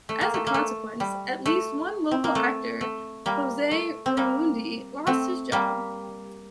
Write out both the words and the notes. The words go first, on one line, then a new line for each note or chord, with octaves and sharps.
As a consequence, at least one local actor, Jose Reymundi, lost his job.
A3
A#3
A3
A#3
A3
G3
A3
C4
A#3
A3
A3
G3 A#3
A3
C4
G3 A#3
A3 C4
G3 A#3